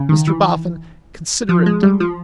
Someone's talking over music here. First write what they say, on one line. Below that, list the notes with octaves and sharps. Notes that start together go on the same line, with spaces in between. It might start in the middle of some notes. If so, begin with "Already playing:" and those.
'Mr Boffin, consider it done.
Already playing: C#3
D#3
E3
F3
G#3
G3
F3